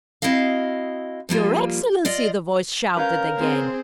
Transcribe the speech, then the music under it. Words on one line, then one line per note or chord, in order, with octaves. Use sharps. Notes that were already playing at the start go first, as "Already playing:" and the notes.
"Your Excellency!" the voice shouted again.
C4 E4 F#4 D#5 F5
F3 G3 A#3 F4
F4 D5 D#5
C#4 A#4 B4 C#5 F5 G6
C4 G#4 C5